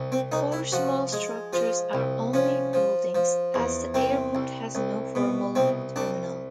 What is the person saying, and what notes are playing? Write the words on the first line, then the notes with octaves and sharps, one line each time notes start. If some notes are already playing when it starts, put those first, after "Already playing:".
Four small structures are the only buildings, as the airport has no formal terminal.
Already playing: C2
C4
C2 D#4
E4
F3 F#4
G#3
F3 F4
C2
F3 C#4
F3
F3
E2
C2 C4
C2
C2
B2
C2 C4
C2 D4